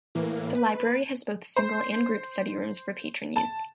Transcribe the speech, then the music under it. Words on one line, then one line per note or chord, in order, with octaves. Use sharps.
The Library has both single and group study rooms for patron use.
A2 E3 A#3
B4
C5
A5